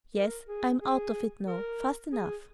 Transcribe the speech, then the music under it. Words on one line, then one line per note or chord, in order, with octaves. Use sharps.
"Yes--I'm out of it now fast enough."
A#4
G#4
G#4
A#4
G#4